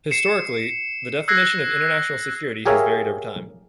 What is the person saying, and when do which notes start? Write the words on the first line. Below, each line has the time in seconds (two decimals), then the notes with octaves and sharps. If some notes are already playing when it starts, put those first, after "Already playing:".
Historically, the definition of international security has varied over time.
0.11 C7 C#7 E7
1.28 E6 F#6 G#6 A#6 C7
2.66 G4 G#4 A#4 C#5 E5 F5